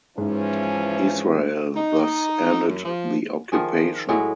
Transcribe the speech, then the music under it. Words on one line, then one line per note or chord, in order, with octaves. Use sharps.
Israel thus ended the occupation.
G#2 E3 F3 C#4
D#4
F#2
F3
D#3 F3 G#4
A2 F#3 G#3 E4